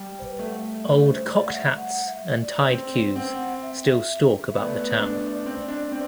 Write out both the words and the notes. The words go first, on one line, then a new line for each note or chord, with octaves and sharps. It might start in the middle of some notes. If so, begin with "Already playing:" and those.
Old cocked hats, and tied queues, still stalk about the town.
Already playing: G3
C5
B4
A3
F#5
E5
D5
C5
D5
F#5
E5
F#5
E5
D5
C4 C5
C4 F#5
E5
E5
E5
B3 D5
A3
B3
D4
C4
D4
C4